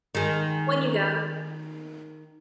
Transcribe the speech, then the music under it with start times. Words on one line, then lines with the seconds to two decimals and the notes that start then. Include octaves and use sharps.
When You Go!
0.15 D#3 G#3